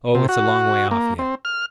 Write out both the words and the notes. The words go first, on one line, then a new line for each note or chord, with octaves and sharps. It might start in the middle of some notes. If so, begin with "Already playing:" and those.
Oh, it's a long way off yet.
C3
F#4
A#3
C4
F6